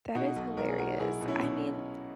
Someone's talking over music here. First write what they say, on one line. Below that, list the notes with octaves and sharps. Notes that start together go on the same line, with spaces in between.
That is hilarious. I mean,
B2 D#4 F#4
B1
B1 A#4
G#4
B1 F#4 A#4
B1 E4 G#4
B2
C#4 E4
B2